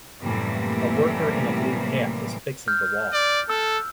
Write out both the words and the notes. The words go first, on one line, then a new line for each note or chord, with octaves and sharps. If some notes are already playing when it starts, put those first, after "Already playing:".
A worker in a blue hat is fixing the wall.
F#2 A2 C3 E3 G3 A#3
F6 G6
D5
A4 E6